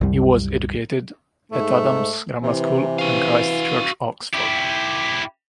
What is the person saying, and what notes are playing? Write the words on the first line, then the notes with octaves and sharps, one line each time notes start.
He was educated at Adams' Grammar School and Christ Church, Oxford.
C2 F#2 G3
G#2 A3
C3 E3
F#4 F5
E4 G4